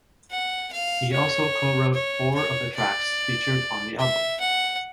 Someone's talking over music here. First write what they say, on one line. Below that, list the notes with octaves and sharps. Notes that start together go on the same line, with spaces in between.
He also co-wrote four of the tracks featured on the album.
F#5
F5
C#5
C#5
C#5
D5
E5
F#5